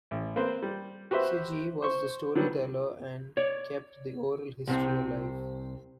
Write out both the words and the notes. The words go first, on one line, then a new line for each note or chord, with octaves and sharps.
Siggie was the story teller and kept the 'oral history' alive.
A1
A#3 C4 B4 C5
G3
F#4 G4 B4 C5 E5
C5 C#6
D3 F#3 G3 B3
C#5 D5
C2 C3 C4